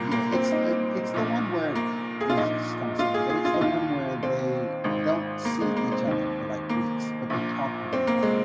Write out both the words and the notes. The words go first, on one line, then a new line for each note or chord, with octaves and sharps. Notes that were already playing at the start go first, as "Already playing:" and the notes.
Yeah, it's eh, it's the one where I guess it's kinda silly, but it's the one where they don't see each other for like weeks, but they talk to one another,
Already playing: C2 A#2 A#3
A#3
C4
D#4
A#1 A#2
A#3
G#4
F4
A#1 A#2 D#4
F4
G#4
G#4
F4
D#4
D#2 D#3 F4
C4
G#1 G#2 D#3
A#3
G#3
A#3
C4
D#2 D#3
A#3
A#1 A#2
C4
A#3
G#3